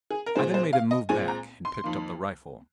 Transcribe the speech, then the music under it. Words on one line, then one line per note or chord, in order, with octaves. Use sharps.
I then made him move back, and picked up the rifle.
G#4
A#4
A#2 G#3 C4 C5
C5
F5
D#5
A#2 G#3 C4 G#5
A#5
C6
F2 D#3 A#3